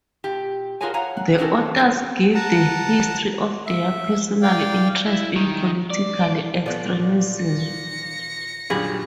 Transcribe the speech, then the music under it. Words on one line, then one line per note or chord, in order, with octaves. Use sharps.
The authors give the history of their personal interest in political extremism.
A#2 G4
F4 F#4 G#4 A#4 C#5 G#5
C#5 F5 F#5 G#5 A#5
F#5
C4 C#4 D#4 F#4 A4 A#4
F#3 G3 B3 C#4
F#5 A5 A#5
E5
D5 F5 G5
E4
D#3
D5
A#2 B3 A4 D5
A#6 C#7
F#2 A#2 D3 G3 G4 G#4